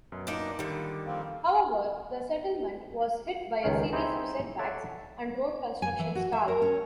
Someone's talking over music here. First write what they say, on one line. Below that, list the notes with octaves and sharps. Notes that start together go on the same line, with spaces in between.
However, the settlement was hit by a series of setbacks and road construction stalled.
F#2 B2
A#2 A#3 D4 D#4 A#4
D3 D#3 G3
F2 A#3 C4 F5
C#2 D#3 C#4 F5
C4 D#4 E4 G4 G#4 C5
A4 C#5 D5 E5 F#5
G#5
E3
F#4
E5
A#4
C#4